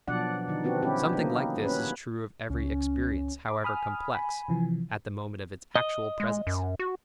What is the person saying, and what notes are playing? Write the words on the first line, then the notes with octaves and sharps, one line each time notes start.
Something like this is true of every experience, however complex, at the moment of its actual presence.
B2 F3 F#3 D4 D5 F#5
D3 D#3 D#4
B3 C4 D4 F#4 G4
G3 C4 C#4 E4 G4
A#3 D#4
B3 C#4 B4
C#2 C#4
D6
G#5 B5 D#6 F6
B5
C3 E3 F3
D#5
G#3
F#2
F#4